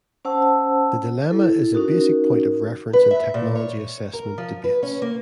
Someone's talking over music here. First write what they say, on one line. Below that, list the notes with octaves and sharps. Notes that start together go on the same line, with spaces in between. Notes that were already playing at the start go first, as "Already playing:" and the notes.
The dilemma is a basic point of reference in technology assessment debates.
C#4 C5 F#5 A5 E6
E4 A4
C#4 D#4 F#4 A#4
B4
E5
A#2
C#5
A#4
F3
B4
C#4
A#3